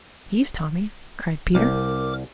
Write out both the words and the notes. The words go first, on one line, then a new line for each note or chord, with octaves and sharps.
"Please, Tommy," cried Peter.
C2 A#4 D6